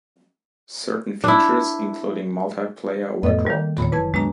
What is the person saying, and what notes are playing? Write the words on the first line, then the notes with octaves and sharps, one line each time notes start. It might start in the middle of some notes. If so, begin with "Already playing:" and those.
Certain features, including multiplayer, were dropped.
D4 E4
F2 A2 B3 A4 D#5
D#3 G3 A#3
D#1 E2 A#2 C#5 B5
F#1 E3 B4 A5 G#6
C#2 F#2 B2 G#3 D4 A#5